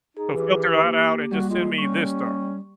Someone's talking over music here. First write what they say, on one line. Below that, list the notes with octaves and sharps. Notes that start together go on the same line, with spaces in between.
so filter that out and just send me this stuff.”
D#4 G#4
E3 G4
A#3
G3 F#4
G#3 F4
G3 C#4 C#6